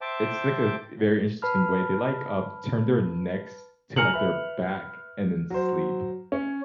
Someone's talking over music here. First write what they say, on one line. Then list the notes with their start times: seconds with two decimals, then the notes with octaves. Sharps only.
it's, like a very interesting way, they, like, um, turn their necks to, like, their back and then sleep.
0.01 C5 E5 G5 A5 D6
1.42 B4 A5 B5 F6
3.96 G#5 A#5 F6 C#7 F7 F#7
4.14 B4 E5
5.50 F#3 C5
6.32 C#4